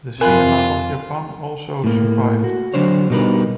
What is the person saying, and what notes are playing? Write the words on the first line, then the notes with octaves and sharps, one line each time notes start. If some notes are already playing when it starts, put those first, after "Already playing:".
The cinema of Japan also survived.
F2 C3 F4 A#4 G#5 B5 F#6
A2 A#3
F#4
D3 F#3 D4 C5 C#5
B2 G3 D#4 A#4 B4